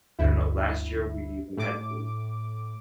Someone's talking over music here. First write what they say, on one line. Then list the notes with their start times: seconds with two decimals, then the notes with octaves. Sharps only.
I don't know, last year we we had to
0.19 G1 D2 E4
1.57 A2 D6